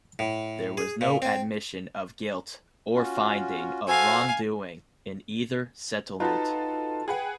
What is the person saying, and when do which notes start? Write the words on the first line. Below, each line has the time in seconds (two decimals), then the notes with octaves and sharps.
There was no admission of guilt or finding of wrongdoing in either settlement.
0.19 A2
0.77 G#4
1.01 A#2
1.22 C4
2.94 C#4 F4 F#4
3.88 F#4 A4 C5 F5 G#5
6.20 D#4 F4 F#4 A4 B4 D#5 A5
7.08 G#4 B4 F#5 G5